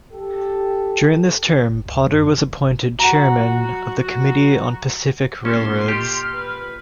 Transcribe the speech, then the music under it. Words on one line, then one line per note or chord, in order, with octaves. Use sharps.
During this term Potter was appointed Chairman of the Committee on Pacific Railroads.
G4 A4
F1
C#2
F#2
C3
E1
F#1
F#3 F#4 F#5 A#5
A#2 C#4 A4 C6
G4 A4 D#5 F6
B4